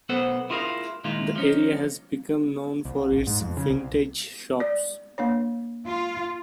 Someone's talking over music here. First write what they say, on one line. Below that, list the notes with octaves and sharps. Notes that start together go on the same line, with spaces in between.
The area has become known for its vintage shops.
B1 B3 A4 B4 C5 F#5
E4 F4 G#4 A#4 D#5 F5
A#2 D#3 G#3 E4 F4
F3 C#4 D#4
C2
A#1
G#2
F2
C#3
C2
D5
A#3 D4 C#5
F4